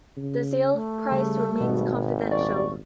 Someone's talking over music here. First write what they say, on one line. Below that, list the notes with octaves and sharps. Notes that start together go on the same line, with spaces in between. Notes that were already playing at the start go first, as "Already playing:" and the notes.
The sale price remains confidential.
C#3
A3
C#3 G3
G#1 B2
D#1 D5 C#6